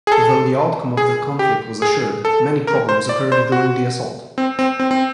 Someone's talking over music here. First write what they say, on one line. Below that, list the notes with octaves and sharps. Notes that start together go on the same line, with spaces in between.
Though the outcome of the conflict was assured, many problems occurred during the assault.
G#4
A4
G#4
G4
G#4
A4
A#4
C5
D5
C5
F#4
C4
C4
C4
C4